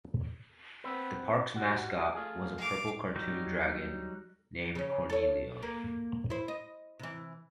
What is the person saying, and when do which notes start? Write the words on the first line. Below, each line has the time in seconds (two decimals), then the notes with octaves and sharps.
The park's mascot was a purple cartoon dragon named Cornelio.
0.84 B3 C4 B4
1.55 G3 F#4
2.15 A3 F4 G#4
2.58 F5 D6
3.16 F#3 G3 D#4
4.75 C#3 C#4
5.10 A4 C#5
5.63 A#3
6.30 E4 C5
6.48 D#5
6.99 C3 E3